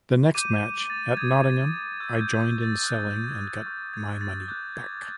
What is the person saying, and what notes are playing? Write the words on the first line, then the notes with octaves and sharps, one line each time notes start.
The next match, at Nottingham, I joined in selling, and got my money back.
D6 G6 D#7
A6
D#6 G6 G#6
C#6 E6 G6
G6
G#6
A6
D#6 F#6 G#6
G#6
C#6 F6 G6
G#6
A6
D6 F#6 G6
G#6